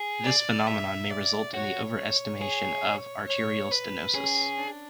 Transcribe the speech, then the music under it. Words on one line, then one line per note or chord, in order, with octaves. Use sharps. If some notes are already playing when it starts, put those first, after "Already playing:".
This phenomenon may result in the overestimation of arterial stenosis.
Already playing: G#4
D5
E5
D5
F#4 C#5
G#4
C#5
B4
C#4 G#4
D4